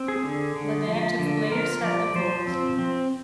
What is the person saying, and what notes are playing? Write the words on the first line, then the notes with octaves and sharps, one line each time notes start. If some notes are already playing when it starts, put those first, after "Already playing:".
But the active players have the vote.
Already playing: C4
G#4
D3
D3
F3
D3
F3 A#4
F3 D5
F3 C5
C4
C4